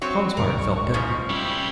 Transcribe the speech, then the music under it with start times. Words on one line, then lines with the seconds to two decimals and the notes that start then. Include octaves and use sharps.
Tom's heart felt better.
0.02 F#3 C4 C#5 C#6
0.37 E2 C3 D#3 A#4
0.57 C#2 F#3 G#3
0.94 G#2 C#3 F3
1.30 G3 C#4 E4